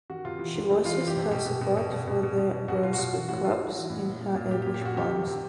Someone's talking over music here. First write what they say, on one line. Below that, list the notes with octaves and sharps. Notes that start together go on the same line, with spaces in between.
She voices her support for the Brunswick Clubs in her English poems.
D#3 F#4
C3 F4
E3
C3
C3
E3 F4
E3
G4
C3
B2 G4
B2
B2
B2
B2
B2
B2
B2
B2
B2 F#4
B2 F4
F#4
B2 F4
E3 F#4
A2 F#4
A2 F4
E3 F#4
E3
A2
A#2
A#2
A#2
A#2 G4
G4
A#2
G4
A#2 F#4
D#3 G4
C3
C3